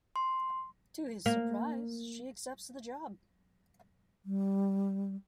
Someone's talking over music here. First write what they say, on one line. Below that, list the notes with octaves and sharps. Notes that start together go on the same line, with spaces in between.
To his surprise, she accepts the job.
C6
A#3
G3